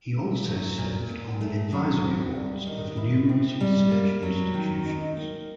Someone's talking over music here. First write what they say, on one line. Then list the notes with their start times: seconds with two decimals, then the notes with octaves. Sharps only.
He also served on the advisory boards of numerous research institutions.
0.16 A3
0.47 F#3
0.78 A#2
1.10 A#2
1.41 A3
1.72 F#3
2.03 C4
2.35 G3
2.66 D#3
2.97 E4
3.29 C4
3.60 G3
3.91 A#3
4.23 F#3
4.54 D#3
4.85 D#4
5.17 A#3